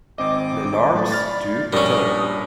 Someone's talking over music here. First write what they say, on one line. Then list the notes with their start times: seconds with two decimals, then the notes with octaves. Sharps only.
"Les Larmes Du Couteau".
0.18 G#1 C4 D#5 D6
0.94 A2 D5
1.12 B5 F6 A6
1.73 A#1 G2 G3 C#4 A#4 D#6